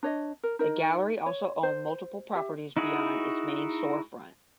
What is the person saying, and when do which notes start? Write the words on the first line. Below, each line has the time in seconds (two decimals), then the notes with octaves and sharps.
The gallery also owned multiple properties beyond its main storefront.
0.03 D4 C#5 D#5
0.43 A#4
0.59 D#4 A#4 D#5
1.26 C#5
1.63 C5
2.35 G4 E5
2.77 D#4 E4 F#4 G#4